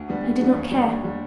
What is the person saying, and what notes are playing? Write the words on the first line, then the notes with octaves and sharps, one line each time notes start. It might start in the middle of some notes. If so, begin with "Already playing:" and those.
He did not care.
Already playing: D2
D3 G3 B3
D2
D3 G3 B3
D#2
D3 G3
D#2
D3 G3